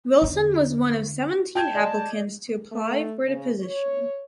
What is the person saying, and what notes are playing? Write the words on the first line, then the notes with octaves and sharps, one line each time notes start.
Wilson was one of seventeen applicants to apply for the position.
E2 D3
G5 A5 G6 G#6
D5 D#5
A3
C#3
C#5